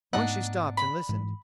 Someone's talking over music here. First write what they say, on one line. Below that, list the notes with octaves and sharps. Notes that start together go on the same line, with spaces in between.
Once she stopped and listened.
G#2 A3 B3 D4 D#4 F#5
B5
G#2 E3